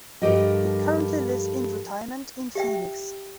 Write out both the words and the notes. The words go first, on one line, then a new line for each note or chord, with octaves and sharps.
He currently lives in retirement in Phoenix.
G2 F3 A3 G4 A#4 D#5
G4 E5 G5